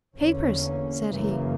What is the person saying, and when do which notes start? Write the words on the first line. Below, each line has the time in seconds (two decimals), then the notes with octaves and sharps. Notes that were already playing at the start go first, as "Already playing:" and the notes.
"Papers!" said he.
0.15 E2 D3 A#3 C#4
1.08 F#2 C#3 E3 A#3